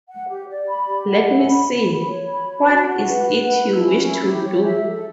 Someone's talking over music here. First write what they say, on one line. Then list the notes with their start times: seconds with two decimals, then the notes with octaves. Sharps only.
Let me see, what is it you wish to do?
0.09 F#5
0.28 G4
0.48 D5
0.68 B5
0.88 G4
1.07 F#5
1.27 E5
1.47 B5
1.67 B5
1.87 B5
2.06 C#5
2.26 B5
2.46 F#4
2.66 F#4
2.86 F#5
3.05 B4
3.25 F#5
3.45 B4
3.65 E4
3.84 C#4
4.04 E4
4.24 G4
4.44 C#5
4.63 E5
4.84 A4